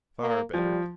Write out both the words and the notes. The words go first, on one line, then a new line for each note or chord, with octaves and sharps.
Far better.
A#3
F3 G3